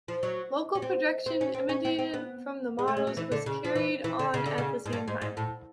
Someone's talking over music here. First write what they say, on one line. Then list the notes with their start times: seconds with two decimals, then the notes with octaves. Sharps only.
Local production, imitated from the models, was carried on at the same time.
0.08 F3
0.23 F#3
0.75 C#4
0.82 C4
1.26 C4
1.41 C#4
1.54 C4
1.69 C#4
1.85 C4
1.99 C4
2.14 B3
2.79 G#3
2.88 A3
2.97 G#3
3.07 F#3
3.17 E3
3.32 D3
3.46 C#3
3.64 F3
3.75 E3
4.04 E3
4.19 D3
4.34 C#3
4.46 D3
4.58 C#3
4.86 G#2
4.93 G2
5.08 G#2
5.21 G#2
5.37 A2